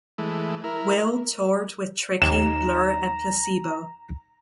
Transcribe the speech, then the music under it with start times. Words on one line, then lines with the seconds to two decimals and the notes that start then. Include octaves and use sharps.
Whale toured with Tricky, Blur and Placebo.
0.18 E3 G#3 A3
0.64 E4 A#4
2.22 D#2 A#5 E7